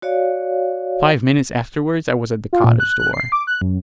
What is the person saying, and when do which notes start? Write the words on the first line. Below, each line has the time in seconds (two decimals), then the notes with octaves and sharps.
Five minutes afterwards I was at the cottage door.
0.02 F#4 C#5 D5 F5
2.53 F4
2.64 A#2
2.80 F#6
2.99 F#6
3.13 C7
3.32 D6
3.47 F#6
3.61 F#2